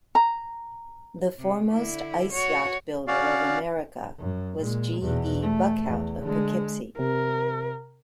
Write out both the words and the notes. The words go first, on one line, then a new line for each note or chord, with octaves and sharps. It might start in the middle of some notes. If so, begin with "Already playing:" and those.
The foremost ice-yacht builder of America was G. E. Buckhout of Poughkeepsie.
A#5
C3
D3 E4
F#4 C#5
C#4 F#4 D5 F5
F#2
A#2 G#3
E2 B2
A3
E2
D3 G#3
C3 A#4